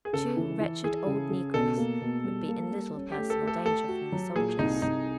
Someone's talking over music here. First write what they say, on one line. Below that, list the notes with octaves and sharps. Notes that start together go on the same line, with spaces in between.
Two wretched old negroes would be in little personal danger from the soldiers.
G#4
C#3 A4
E3
E3
E3 G#4
C#3
C#3
B2 A4
A#3
B2
G3
A#3
G3
C#4
G4
A3
A4
A3
A4
A3 A4
F#4
F#3
A#2 G#4
C2 D#4
C2 D#4